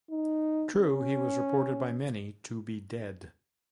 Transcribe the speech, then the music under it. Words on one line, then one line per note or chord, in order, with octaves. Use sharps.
True he was reported by many to be dead.
D#4
C#4